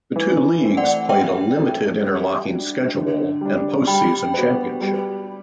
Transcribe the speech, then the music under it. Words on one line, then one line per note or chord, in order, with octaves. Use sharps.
The two leagues played a limited interlocking schedule and post-season championship.
E3
A3 C4
D5 F#5
G3 E5 G5
C4 F#4 A4
G3
D4 F#4
D3
G3 D4
G3 G5 B5
B3 F#4 B4
G3